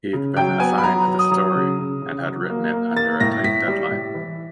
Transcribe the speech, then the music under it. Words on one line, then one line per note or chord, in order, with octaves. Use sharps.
He'd been assigned the story and had written it under a tight deadline.
C#3
F#3 G5
B3 G#5
B5
F#3 A#5
F#3
D#6
F#3
C#3
C#3
C#3
F#3
A#3
A#3
A#3 A6
A2 A#6
A2 B6
G3
A2
E3